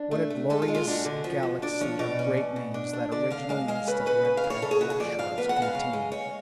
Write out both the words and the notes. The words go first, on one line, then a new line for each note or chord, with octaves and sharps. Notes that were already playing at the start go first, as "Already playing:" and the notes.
What a glorious galaxy of great names that original list of Redpath lecturers contained!
Already playing: D4
A3
A3
G#3 A4
F4
G#3
F4
D4 F#4
D3
F3
F2
D4 D5
F3 C#5
B2 D5
C#4
B2
B2
D4
D4
D3 D5
D3 F5
G#3 F5
G#3 F5
C#3 B4
C#4 B4
C#3
F5
C#3
C#5
C#3 A4
G#4
C#3 F#4
G#4
F2 D5
F2 F5
B3 B4
F#5
G#3
F5
C#3
G#3
G#3 C#5